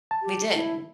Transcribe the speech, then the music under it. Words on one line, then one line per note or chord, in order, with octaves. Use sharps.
We did.
A5
G4
E4